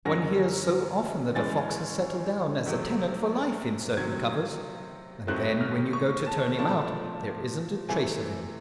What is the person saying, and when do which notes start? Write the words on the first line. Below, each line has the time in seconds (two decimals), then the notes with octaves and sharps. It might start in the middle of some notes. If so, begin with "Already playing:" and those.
One hears so often that a fox has settled down as a tenant for life in certain covers, and then when you go to turn him out there isn't a trace of him.
0.05 F#2 D3 F#3 A#3 C#4 A#6
1.35 A2 E3 G#3 C#4 A6
2.66 E2 C3 D#3 F#3 A3
3.97 C3 D#3 F#3 G#6
5.27 D#2 D#3 F#3 A3 C4 F#6
5.61 F6
5.93 C#6
6.26 A5
6.58 A#2 F3 A3 D4 A5
7.89 C3 E3 A3 G#5